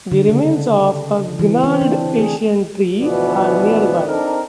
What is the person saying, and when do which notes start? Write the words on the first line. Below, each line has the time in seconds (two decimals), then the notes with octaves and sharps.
The remains of a gnarled ancient tree are nearby.
0.12 D3
0.29 C#3
1.39 E3
1.64 C4
1.82 D4
2.19 G#4
3.00 D2 B2 E3 F3 B3 D5
4.07 C4 D4 D#4 A4 A#4